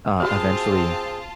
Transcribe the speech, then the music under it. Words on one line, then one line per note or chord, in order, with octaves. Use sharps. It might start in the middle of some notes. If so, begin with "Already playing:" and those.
uh, eventually,
C4 F4 F#4 G#4 C5 A5